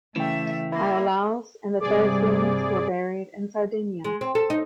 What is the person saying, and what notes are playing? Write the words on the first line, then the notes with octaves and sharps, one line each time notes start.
Iolaus and the Thespians were buried in Sardinia.
C#3 E3 A3 E5 G5
A#3 E4
G2 C3 G3 G#4 D5
G#3
C4
A4
D#4